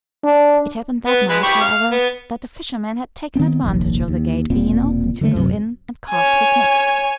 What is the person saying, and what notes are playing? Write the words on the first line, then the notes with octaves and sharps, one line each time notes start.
It happened that night, however, that a fisherman had taken advantage of the gate being open to go in and cast his nets.
D4
B3
G#3 B4
G4 B5 C#6
F5
B3
D#3 B3 C4
F1 A#1 D#2
D#2
E1 A#2 C4
D3 D#3 G#3 A3
D1 F#2 C3
C#5 G#5